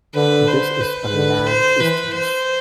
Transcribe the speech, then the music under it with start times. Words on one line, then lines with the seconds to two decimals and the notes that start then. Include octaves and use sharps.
This is a land isthmus.
0.14 D3 B4
0.47 C5
0.80 B4
1.14 D3
1.46 C5
1.80 E3 B4
2.13 C5